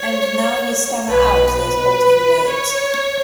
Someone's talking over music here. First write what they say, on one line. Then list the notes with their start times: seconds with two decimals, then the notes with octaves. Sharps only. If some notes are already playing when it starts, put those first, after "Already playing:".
And now you stammer out those halting words.
Already playing: C#5
1.08 B1 B2 B4
1.55 B4
2.49 C#5